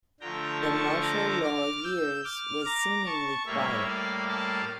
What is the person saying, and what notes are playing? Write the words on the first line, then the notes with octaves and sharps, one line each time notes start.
The Martial Law Years was seemingly quiet.
D3 F3 A3 G5 A#5
A5 C#6
A#5 D6
D6 F6
E6 G6
D6 F6
A#5 D6
A5 C#6
A2 G3 A#3 C#5 E5
D5 F5
F5 A5